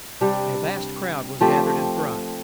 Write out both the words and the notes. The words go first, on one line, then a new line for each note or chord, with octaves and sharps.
A vast crowd was gathered in front.
C3 G3 D4 G4
F3 A3 C4 G4